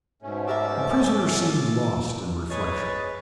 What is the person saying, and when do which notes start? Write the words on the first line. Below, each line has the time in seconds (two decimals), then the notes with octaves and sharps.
The prisoner seemed lost in reflection.
0.22 G#2 B2 A3 C#4
0.47 G4 A#4 E5 A5 D6 E6
2.50 G#4 B4 C#5 D#5 A6